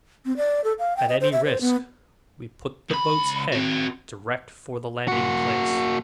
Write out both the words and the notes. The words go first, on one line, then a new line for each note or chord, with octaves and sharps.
At any risk, we put the boat's head direct for the landing-place.
C4
D5
A4
F5
G5
D#5
C5
E5
C5
B3
C#2 B5
C4 F#4
A#3 F#4